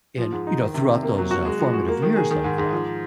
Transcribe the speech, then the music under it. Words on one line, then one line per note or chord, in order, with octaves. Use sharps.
and, you know, throughout those, uh, formative years like that,
F3
G#2
D#4
D#3
C3
C3
A#3
F#3
F#4
G#3
F3
F#4
A#3
D#3
G#4
D#3
G#2
G#2
F3